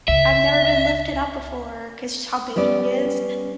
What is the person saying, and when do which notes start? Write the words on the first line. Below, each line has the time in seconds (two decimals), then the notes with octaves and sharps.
I've never been lifted up before," 'cause how big she is.
0.08 C#2 E5
2.56 G3 B3 C#4 D5